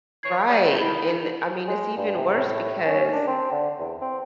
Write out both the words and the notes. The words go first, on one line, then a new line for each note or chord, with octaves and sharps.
Right, and, I mean, it's even worse because
E3 C#5 G#6 C7
G3 D5 D#7
A#2 A3 C4
D#3 E4 B5 G7
G#3
G2
C3
A2
C#4
D4
C4
D3
E2
C4